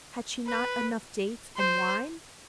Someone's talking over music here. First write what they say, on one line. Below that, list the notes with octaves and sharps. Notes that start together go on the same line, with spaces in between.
Had she not enough dates and wine?'
B4
C5